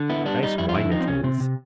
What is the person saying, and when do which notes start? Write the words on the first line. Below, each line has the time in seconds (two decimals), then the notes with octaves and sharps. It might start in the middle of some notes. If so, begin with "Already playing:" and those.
Nice wine it is.
Already playing: D3
0.09 B3 E4
0.25 G3 D4
0.42 G3 D#4
0.58 F2 E4
0.69 F4
0.74 D3 E4
0.91 F3 D#4
1.00 C4
1.08 C3 C#4
1.23 C3 C4
1.40 C3